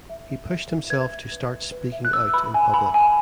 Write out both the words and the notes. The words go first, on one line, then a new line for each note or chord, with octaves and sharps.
He pushed himself to start speaking out in public.
E5
E5
E5
E5
B4 G#6
E5
B4
B4
B4
E5
F#6
B4 E6
B4 B5
E5 G#5
B4 B5
E5 G#5